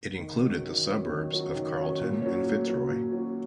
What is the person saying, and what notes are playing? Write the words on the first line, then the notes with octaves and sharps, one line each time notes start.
It included the suburbs of Carlton and Fitzroy.
D#3
F#3 C#4
D#3
F#3 C#4
D#3
F#3 C#4
D#3
F#3 C#4
A#2
F#3 C#4
A#2
F#3 C#4
A#2
F#3 C#4